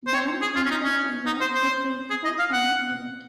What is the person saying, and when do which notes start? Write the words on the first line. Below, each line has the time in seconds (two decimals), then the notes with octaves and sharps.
Band concerts were a frequent summer event.
0.07 C5
0.14 C#5
0.41 G#4
0.56 F4
0.66 C#4
0.71 D#4
0.84 C#4
1.26 D#4
1.41 C5
1.55 C5
2.10 G#4
2.25 D#5
2.39 F5
2.53 F#5